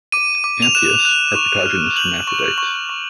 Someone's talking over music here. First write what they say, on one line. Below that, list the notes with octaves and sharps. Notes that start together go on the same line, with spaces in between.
Anthias are protogynous hermaphrodites.
D6 D#7
D6
F7
F#6 E7
F#6
C#6
F6
G6 F#7
C#6
C#6
C#6